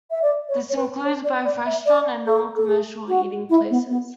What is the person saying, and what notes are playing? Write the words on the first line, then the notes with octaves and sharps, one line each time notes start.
This includes both restaurant and non-commercial eating places.
E5
D5
C#5
C#5
B4
C#5
D5
D5
E5
D5
A4
A4
G#4
F#4
E4
B3
B3